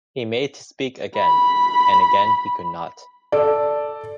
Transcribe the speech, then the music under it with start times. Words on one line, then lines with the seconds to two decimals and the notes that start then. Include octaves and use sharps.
He made to speak again, and again he could not.
1.17 B5
3.32 A4 D5